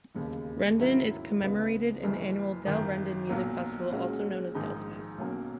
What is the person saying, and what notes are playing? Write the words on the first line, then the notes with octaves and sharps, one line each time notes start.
Rendon is commemorated in the annual Del Rendon Music Festival, also known as DelFest.
E1 D#2 C#3
G#2 D#3 F#3 C#4 E4
C#2 C#3 G#3 B3
F#1 F#2 E3
G#1 F#2 D#3
B1 A#2 F#3
A#2 G#3 C#4 F#4
A#1 G#2 D#3 A#3 D#4
B1 B2 F#3 A#3 C#4